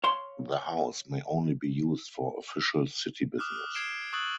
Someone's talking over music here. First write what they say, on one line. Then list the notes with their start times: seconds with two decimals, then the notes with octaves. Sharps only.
The house may only be used for official city business.
0.04 C#5 F5 C6
3.38 D6 D#6 F6 F#6
3.74 G#6 C7 D7 E7 G7
4.13 C#6 D#6 E6 F#6 A6 F#7